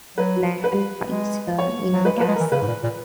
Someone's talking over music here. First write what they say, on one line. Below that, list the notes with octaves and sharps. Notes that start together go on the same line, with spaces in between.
night, kinda got used to the you know, the guests,
F#3 B4
B4
G#3
C#5
F#3
G#3 B4
A#3
B4
G#3
E3 A#4
C#3 B4
G#2
A#2
A#2